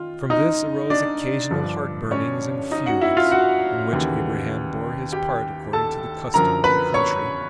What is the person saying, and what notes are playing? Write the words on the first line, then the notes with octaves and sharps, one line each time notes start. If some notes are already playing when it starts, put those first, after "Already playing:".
From this arose occasional heart- burnings and feuds, in which Abraham bore his part according to the custom of the country.
Already playing: D#3 F4
D#4 D#5
D4 D5
G2 D3 F3
C#4 C#5
D#4 D#5
F#4 F#5
E4 E5
F4 F5
F#4 F#5
D#2 C#3 E3
G4 G5
A4 A5
F#2 D3 F3 A#4 A#5
B4 B5
C#5 C#6